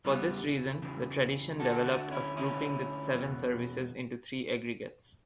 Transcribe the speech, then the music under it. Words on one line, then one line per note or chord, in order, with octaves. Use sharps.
For this reason, the tradition developed of grouping the seven services into three aggregates.
E2 C#3 E3 G3 B3
E2 C#3 E3
D2 D3 F#4 A4
D4 F#4
C#4 E4
D2 D3 C#4 E4
E2 B2